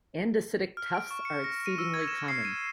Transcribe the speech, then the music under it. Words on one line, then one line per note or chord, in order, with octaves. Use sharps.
Andesitic tuffs are exceedingly common.
F6
D7
C#6
C#7
A#6
D#7
E6
G#6
E7
C7
D#7